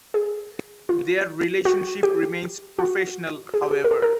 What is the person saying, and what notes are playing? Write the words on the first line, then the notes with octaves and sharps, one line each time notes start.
Their relationship remains professional, however.
G#4
F4
F#4
G4
F#4
G#4
G4
G#4
A#4
A4
A#4